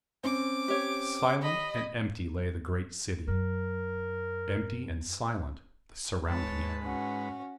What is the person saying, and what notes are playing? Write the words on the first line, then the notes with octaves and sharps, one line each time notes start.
Silent and empty lay the great city--empty and silent the surrounding air.
C4 C#4 D6
G4 C#5
D#5 B5
F#2 A#4
G#2 B4 C#5 A5
C#4 F#4